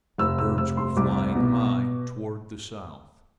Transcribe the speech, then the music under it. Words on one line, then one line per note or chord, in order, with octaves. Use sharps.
The birds were flying high toward the south.
F1 E6
E6
F1 E6
C6
C2 D6
B2